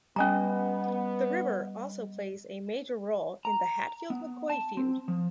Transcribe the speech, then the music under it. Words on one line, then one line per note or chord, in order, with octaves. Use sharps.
The river also plays a major role in the Hatfield-McCoy feud.
G3 B3 C#4 D#5 G#5 A#5
A#5
B3
A5
C4
F3